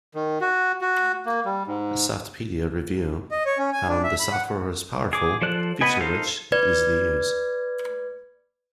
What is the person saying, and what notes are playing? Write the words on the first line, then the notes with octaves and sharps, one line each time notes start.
A Softpedia review found the software was powerful, feature rich and easy to use.
D#3
F#4
F#4
A#3
G3
G#2
D#5
C#5
C#4
G#5
D4
E5
B5
F#5
G#4 D6
F3 A4 C5 D5 F#6
B3 B4 D#5 G#5
D#4 A4 C5 F5
B4 D5 G#6